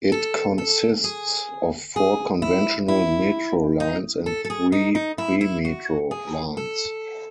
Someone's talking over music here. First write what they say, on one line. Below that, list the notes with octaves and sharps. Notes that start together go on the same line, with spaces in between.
It consists of four conventional metro lines and three premetro lines.
A4
A4
G#4
G#4
E4
E4
D#4
A4
A4
G#4
D#4
D#4
E4
E4
F#4
G#4
A4